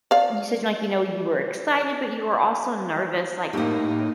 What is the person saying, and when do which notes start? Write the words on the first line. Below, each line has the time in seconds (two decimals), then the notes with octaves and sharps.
you said, like, you know, you were excited, but you were also nervous. Like
0.11 D5 F5
3.53 A2 A#3 D#4 G4 F#5